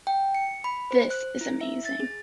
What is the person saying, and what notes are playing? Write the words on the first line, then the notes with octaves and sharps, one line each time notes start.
This is amazing.
G5
C#7
B5
C5
F#6
E4
E5
A6
G#4